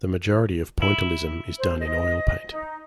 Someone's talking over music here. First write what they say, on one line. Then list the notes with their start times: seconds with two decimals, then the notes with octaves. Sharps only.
The majority of Pointillism is done in oil paint.
0.82 E4
1.58 C5
1.80 D#5
2.50 D#4